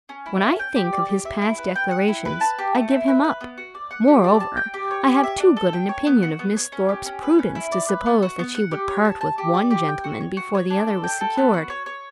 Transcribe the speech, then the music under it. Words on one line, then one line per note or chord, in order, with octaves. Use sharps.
When I think of his past declarations, I give him up. Moreover, I have too good an opinion of Miss Thorpe's prudence to suppose that she would part with one gentleman before the other was secured.
C#4
E4
C#4
G5
G4
D5
G4
E5
E4
B4
G5
F#5
E4
B4
A5
G4
A3
E4
B4
B4
B3
F#4
D5
F#5
G4
D5
A5
G5
G4
C#5
G4
E5
D4
A4
G5
C#5
B3
F#4
B3
C#5
C#4
G4
C#4
B4
C#4
E4
D5
B4
B3
F#4
B3
F#5
G4
C#5
A5
A5
G4
D5
G4
G5
F#4
C#5
F#4
C#5
D4
A4
G5
A4
B3
F#4
C#5
C#5